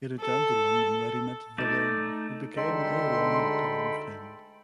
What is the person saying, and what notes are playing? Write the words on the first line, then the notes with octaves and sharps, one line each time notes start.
He returned to London where he met Verlaine, who became a long-time friend.
A4
A3 D#4 D5
D2 D3 G#3 D#4 A4 G5 B5 C6